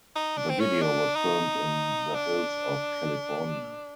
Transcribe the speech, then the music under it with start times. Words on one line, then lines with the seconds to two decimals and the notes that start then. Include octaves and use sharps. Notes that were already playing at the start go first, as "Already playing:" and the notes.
The video was filmed in "the hills of California".
0.15 D#4
0.37 D4
0.49 C4
0.60 C#4
0.82 D4
1.15 D#4
2.15 D4